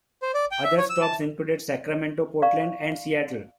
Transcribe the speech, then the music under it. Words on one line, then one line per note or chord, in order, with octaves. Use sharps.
Other stops included Sacramento, Portland, and Seattle.
C5
D5
G5
E5
C#5
E6
A5
D5 F5 A#5 C#6